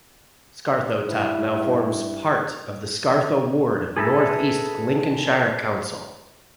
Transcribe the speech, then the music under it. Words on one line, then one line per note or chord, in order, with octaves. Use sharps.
Scartho Top now forms part of the Scartho ward of North East Lincolnshire Council.
G2 E4
G#4 A4 B4 E5 A#5